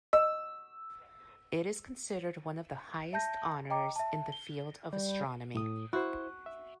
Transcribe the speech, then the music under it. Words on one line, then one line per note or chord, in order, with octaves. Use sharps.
It is considered one of the highest honors in the field of astronomy.
D#5 E6
E5 A5 G6 A#6
D#5 G5 A#5 D6
E5 A5
G7
G3
A2 D#6
E4 F#4 C5
E5